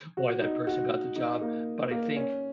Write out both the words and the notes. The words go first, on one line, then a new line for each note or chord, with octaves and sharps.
why that person got the job, but I think
F#4
D#4
F#4
D#4
A#3
A#3
C#4